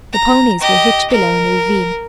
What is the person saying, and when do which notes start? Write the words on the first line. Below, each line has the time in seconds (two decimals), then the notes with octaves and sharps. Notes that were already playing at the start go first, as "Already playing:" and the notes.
The ponies were hitched below in the ravine.
0.12 A#5
0.60 G4 D#5
1.10 A#4